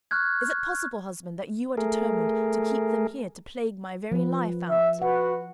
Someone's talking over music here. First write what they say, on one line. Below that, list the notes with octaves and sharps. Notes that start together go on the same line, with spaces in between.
Is it possible, husband, that you are determined to keep them here to plague my very life out?
C#6 F6 F#6 G#6
A3 G#4 A#4
F3 B4
E5
F#4 B4 F#5